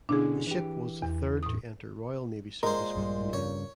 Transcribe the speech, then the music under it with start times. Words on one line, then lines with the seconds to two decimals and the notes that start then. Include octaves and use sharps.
The ship was the third to enter Royal Navy service with the name.
0.09 B2 D3 C#4 D4 E4 G#4
0.47 E3 G4
1.02 E2
1.43 A2 D#6
2.63 A#2 G#3 A#4 C5
2.96 A#1 G2 G3
3.33 G2 C#3 C#5